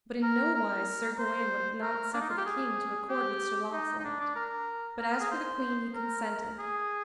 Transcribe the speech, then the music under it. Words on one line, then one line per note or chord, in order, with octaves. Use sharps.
But in nowise Sir Gawaine would not suffer the king to accord with Sir Launcelot; but as for the queen he consented.
A#4
A#4
C5
A#4
D4
D#4
F4
G4
G#4
G4
D#4
D#4
D4
D4
A#4
A#4
A#4
G#4
C5
A#4
G#4